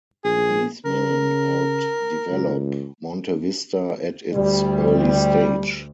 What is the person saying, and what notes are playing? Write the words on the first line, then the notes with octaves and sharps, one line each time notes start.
These men helped develop Montevista at its early stage.
A#1 G#4
C#3 A#4
C#2
D2 G3